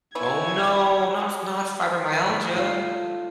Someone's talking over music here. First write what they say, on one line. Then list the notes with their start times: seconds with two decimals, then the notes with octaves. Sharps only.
Oh, no. Not not fibromyalgia.
0.15 B3 E4 C#5 G#5 C#6 G#6
2.29 A3
2.56 F4